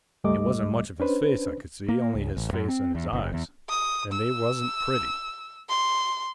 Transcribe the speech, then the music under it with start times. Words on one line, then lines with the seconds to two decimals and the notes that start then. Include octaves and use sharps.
It wasn't much of his face I could see, only his face and his eyes,--and they wasn't pretty.
0.24 C#2 G2 G3 A3 D#5 D6
1.00 C#4 D4 B4 C5
1.89 A#3
2.15 C#2
2.37 A1
2.53 F#2
2.68 C4
2.95 E2
3.13 F#1
3.33 E2
3.69 D#6
4.13 E6
5.70 C6